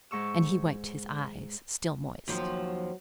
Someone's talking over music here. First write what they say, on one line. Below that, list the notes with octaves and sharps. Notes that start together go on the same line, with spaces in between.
And he wiped his eyes, still moist.
G#2 C#6 E6
D#2 F3 F#3